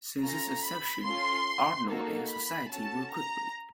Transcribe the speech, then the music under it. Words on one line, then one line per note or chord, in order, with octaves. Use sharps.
Since its inception, Arnold Air Society grew quickly.
C#4 F4 A4 A#5
B5
C#4 F4 A4 C6
A#3 D#4 F#4 A4
B5
C#4 F#4 A4 A5
A#5